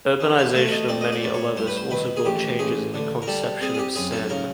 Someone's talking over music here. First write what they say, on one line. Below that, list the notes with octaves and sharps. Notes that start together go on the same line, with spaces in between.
Urbanization of many Alevis also brought changes in the conception of cem.
E3
E5
A3 E5
D#5
C4 D5
D#5
D5
A2
C#5
G2 C5
B4
C5
D#3 B4
G#4
A1 G4
A1 G#4
D3
A#4
G3 A4
C4 G#4
G#4
G4
F#2 G#4
A4
C#3 A#4